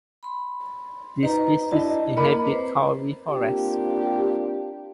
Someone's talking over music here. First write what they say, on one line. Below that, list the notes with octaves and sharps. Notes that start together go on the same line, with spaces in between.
This species inhabits kauri forests.
B5 C6
D#4 B4 C5 A#5
D4 E4 D#5 A5
A#3 A#4 D#5 B5 D6
C4 B4 C5
A#3 C4 D4 F4 G4